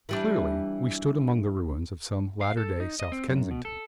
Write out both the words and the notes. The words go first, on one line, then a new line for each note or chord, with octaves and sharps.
'Clearly we stood among the ruins of some latter-day South Kensington!
E3 G3 D4
F5
A4
D#4
D#5
C4
F#2
B2
A4